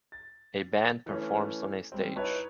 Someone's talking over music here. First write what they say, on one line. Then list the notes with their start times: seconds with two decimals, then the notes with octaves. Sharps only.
A band performs on a stage.
0.12 A6
1.06 E3 A3 C#4
1.92 G3 C4
2.16 D#4 E4 B4 C#5 A5